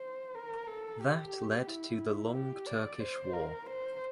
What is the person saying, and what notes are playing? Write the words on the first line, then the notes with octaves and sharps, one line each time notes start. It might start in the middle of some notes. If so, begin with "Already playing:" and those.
That led to the long Turkish war.
Already playing: C5
A#4
A4
G4
E4
G4
D5
C5
A#4
C5